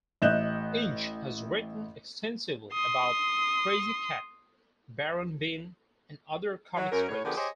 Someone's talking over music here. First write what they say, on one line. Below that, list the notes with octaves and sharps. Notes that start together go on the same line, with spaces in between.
Inge has written extensively about "Krazy Kat", "Baron Bean" and other comic strips.
A1 D#5 E5 F#6 G6 E7
C6 D#6
F#3
F#2 C#4 A#4
A2 C#5
D3 F3 B3 G4 G#4 A#4
G4 G#4 C5 C#5 D#5